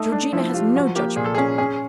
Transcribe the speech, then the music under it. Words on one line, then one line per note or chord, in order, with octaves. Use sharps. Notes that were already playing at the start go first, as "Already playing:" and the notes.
Georgina has no judgment.
Already playing: A3 D#4
D4
F3 E4
F4 G4
F3 F#4
A#3 G4
A#2 G#4
A4
C#4 G#4
C#4 G#4